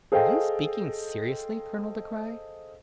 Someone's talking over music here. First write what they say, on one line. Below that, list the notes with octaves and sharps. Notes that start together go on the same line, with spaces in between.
"Are you speaking seriously, Colonel De Craye?"
G#4 A4 C5 D#5 F5 G5